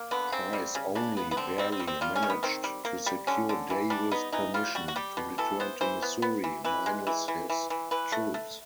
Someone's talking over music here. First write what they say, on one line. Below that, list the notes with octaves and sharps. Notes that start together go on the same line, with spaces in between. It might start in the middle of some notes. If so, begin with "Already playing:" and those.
Price only barely managed to secure Davis's permission to return to Missouri-minus his troops.
Already playing: A#3
D3 B3
C#3 C4
G3
C#3
C#3 D4
B3
B3
D3 C4
G3 C4
C4
G3
C4
G3 F4
C#4
D#3
B3
D#3 C4
G3
A#3
G3
D3 C#4
D3
E3
G3 D4
B3 D#4
E3 D#4
G3 F4
G3 F#4
F#4
G3 G4
B2
E3 A4
B3 C5
E3 C5
B3
B3
E3
E3 B4
G#3
E3
E3
E3
E3
E3 B4
A3
A3